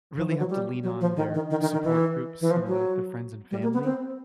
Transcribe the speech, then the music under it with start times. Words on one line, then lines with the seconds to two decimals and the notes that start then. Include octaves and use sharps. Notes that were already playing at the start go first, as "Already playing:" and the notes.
really have to lean on their support groups, you know, their, like, their friends and family.
0.17 F3
0.29 E3
0.39 F#3
0.50 G3
0.83 F#3
1.01 F3
1.16 D#3
1.34 D#3
1.50 D#3
1.61 D#3
1.73 D#3
1.84 E3
2.41 E3
2.51 F3
2.67 F#3
3.51 G3
3.63 A#3
3.73 B3
3.84 C4